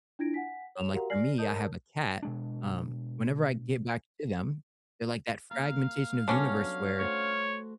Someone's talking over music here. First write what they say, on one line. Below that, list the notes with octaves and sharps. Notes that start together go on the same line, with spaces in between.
um, like for me, I have a cat, um, whenever I get back to them, they're like that fragmentation of the universe where,
D4 E4 F4 G#6 A#6 D7
F#5 G#5 B6
C#5 E7 F7
F#4 G4 A#4 F5 F#5 A#5
D5 G#5 F6 A#6 C7 F#7
A#4 C#5 D#5 A5 D#6 G6
B2 G#3 D4
A#3 F5 A#5
B2 D3 G3 C#4
F#3
A3 F#4 C5 C#5